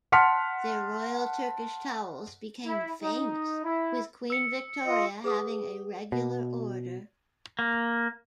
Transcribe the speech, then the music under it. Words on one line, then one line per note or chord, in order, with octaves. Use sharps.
Their Royal Turkish towels became famous, with Queen Victoria having a regular order.
F#5 A5 C6 F6 B6 C#7
E4
D#4
E4
E6 C#7
F4 D#5
G#4 B4 F#5 D#6
B2
A#3